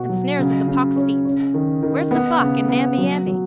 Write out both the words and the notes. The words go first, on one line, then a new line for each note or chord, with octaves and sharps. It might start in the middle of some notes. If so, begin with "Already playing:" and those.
And snares of the poxfiend. Where's the buck and Namby Amby?
Already playing: B2 F#4
F#3
C#3
C#3
C#4
C#4
D#3
D#3
B3
C#3
B3
F#3
F#3